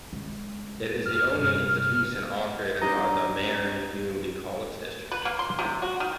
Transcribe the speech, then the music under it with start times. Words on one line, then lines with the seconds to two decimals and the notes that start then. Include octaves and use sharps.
It is the only institution operated by the Marin Community College District.
0.13 C#3 G#3
1.06 F2 F6
1.36 G2 C3
2.01 G#3
2.81 C4 D4 D#4 G4 D#5 A#5
5.12 B4
5.25 A#3
5.39 C6
5.59 C3
5.82 F#4
6.00 D#3